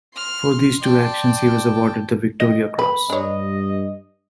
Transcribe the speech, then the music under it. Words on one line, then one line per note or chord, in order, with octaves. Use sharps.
For these two actions he was awarded the Victoria Cross.
C6 F6
D5 G5 A5
D#5
B4 B5
G2 D4 C#5 D#5